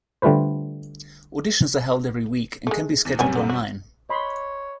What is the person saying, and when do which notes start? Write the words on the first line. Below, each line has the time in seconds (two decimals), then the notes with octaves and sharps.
Auditions are held every week and can be scheduled online.
0.22 D3 G3 A3 F4 B4 C5
2.67 G#3 A3
3.05 E2
3.19 F#2 C3 G3 B3 C#4 G#5
3.35 D3
3.49 F#4
4.10 C#5 D#5 B5 C6